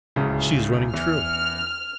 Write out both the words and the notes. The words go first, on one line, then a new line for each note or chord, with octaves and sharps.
She is running true!
D1 C#2 C#3
E2 E3 F6